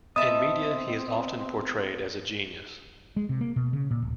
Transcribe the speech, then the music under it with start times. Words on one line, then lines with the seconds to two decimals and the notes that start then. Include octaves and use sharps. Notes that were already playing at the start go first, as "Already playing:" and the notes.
In media, he is often portrayed as a "genius".
0.16 B3 C4 D#5 E5 A5 D#6
3.16 G#3
3.29 C3
3.41 A#3
3.56 B2
3.73 C#3
3.91 A#2
4.02 D1